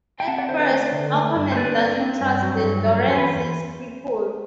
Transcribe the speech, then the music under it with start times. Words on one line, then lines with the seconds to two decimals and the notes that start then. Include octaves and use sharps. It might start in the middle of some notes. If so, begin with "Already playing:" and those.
At first, Aquaman doesn't trust the Dorrance's people.
0.20 G5
0.27 C4 F#5 A5
0.38 D5 F#5
0.49 D3 C5 E5
0.60 B4 D5
0.71 A3
0.92 D3
1.14 A3
1.35 G2
1.52 C5
1.57 D3 B4 D5
1.78 C4
2.00 C4
2.21 G2
2.42 F#3
2.64 G2
2.85 F#3
3.07 E2 C5
3.18 B4